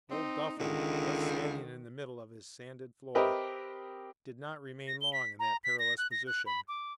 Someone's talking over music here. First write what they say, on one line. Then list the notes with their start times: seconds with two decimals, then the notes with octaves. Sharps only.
"Old Duffer," left standing in the middle of his sanded floor, did not remain long in that perilous position.
0.11 C4 D#4
0.60 C#2 D3 D#3
3.15 C4 G4 A#4 B4 D#5 E5
4.87 A#6
5.01 G7
5.13 B6
5.39 A#5
5.64 B6
5.79 A#6
5.98 F#6
6.11 A#6
6.27 F#6
6.46 B5
6.68 D6